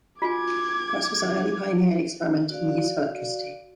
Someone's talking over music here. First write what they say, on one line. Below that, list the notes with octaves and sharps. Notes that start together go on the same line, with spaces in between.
Crosse was an early pioneer and experimenter in the use of electricity.
F4 F#4 G#5 D6 G#6
F#4 D5 F5